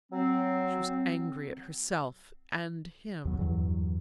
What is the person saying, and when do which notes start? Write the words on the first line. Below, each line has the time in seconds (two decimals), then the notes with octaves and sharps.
She was angry at herself and him.
0.12 F#3 C4
3.25 D#2 F#3
3.39 E2 G2 E3 F#3